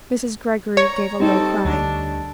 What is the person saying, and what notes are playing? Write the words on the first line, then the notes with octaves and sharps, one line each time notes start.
Mrs. Greggory gave a low cry.
C#5 A#5
G3 C4 D#4 A4
D2 D4